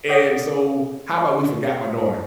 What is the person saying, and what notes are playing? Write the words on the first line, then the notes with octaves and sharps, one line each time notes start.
and so, how 'bout we forgot my daughter?
G#4 A4 C#5 D5 F#5 D#6